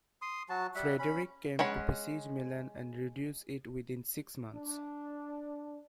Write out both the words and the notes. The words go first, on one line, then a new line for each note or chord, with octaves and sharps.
Frederick came to besiege Milan and reduced it within six months.
C6 D#6
F#3 F#4 A5
G3 E5 F#5
C#4 B5
G#3 C#4 F#5 B5
D4